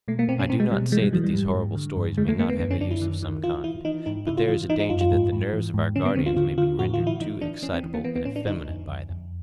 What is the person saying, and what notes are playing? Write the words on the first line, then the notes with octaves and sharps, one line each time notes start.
I do not say that these horrible stories may not have a use of some kind; but there is a danger that the nerves of our guardians may be rendered too excitable and effeminate by them.
B2 A3
A#3
B2 C4
C#4
B2 C4
G#3
B2 G3
E3 G#3
G3
E3 F#3
G3
G#2
G#2
D3
G2
D3 G#3
A3
D3 A#3
B3
F#2 B3
C#4
F#2 D4
E4
D#3
D#3
E3 F4
E3 E4
E3 D#4
G#2 D#4
C#3 E4
F4
E3 F4
E3 D#4
D#4
F#2 F4
F4
G#2
G#2
E3
G#2
D3 C#4
B3
D3 C4
F4
D3 F4
D3 F4
A2 F#4
F4
E3
E4
E3 D#4
E3 D4
E3 C#4
C4
E3
A#3
E3 B3
B3
A2 C#4
D4
D3 D#4
F2
F2
F2